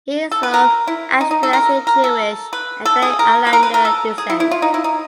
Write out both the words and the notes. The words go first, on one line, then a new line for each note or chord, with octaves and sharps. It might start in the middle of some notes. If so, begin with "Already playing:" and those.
He is of Ashkenazi Jewish and Canary Islander descent.
A4
B4
A#4
E4
D#4
D#4
A4
A#4
A#4
A4
B4
A4
G#4
A#4
B4
A#4
B4
A#4
A4
G#4
E4
E4
F4
D#4
E4
D#4